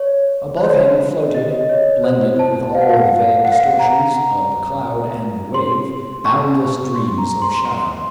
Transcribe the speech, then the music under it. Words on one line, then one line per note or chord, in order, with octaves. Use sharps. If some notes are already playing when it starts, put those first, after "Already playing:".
Above him floated, blended with all the vague distortions of the cloud and the wave, boundless dreams of shadow.
Already playing: C#5
C5
C#5
D#5
C#5
C5
A5
F5
F#5
F5
F#5
F5
F#5
A#5
C6
C#6
C6
A#5
C6
C6